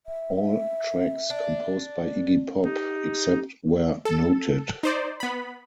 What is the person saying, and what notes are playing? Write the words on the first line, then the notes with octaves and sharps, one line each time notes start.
All tracks composed by Iggy Pop, except where noted.
E5
D4
D#4 G4
A4
D#4 C5 D5
B3 B5